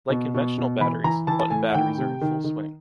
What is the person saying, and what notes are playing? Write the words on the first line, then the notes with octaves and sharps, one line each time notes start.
Like conventional batteries, button batteries are in full swing.
B2
B2
B2
E3 B5
E3 A#5
E3 A5
A5
A2 G#5
F#5
D#3 G5
C3
D#3
D#3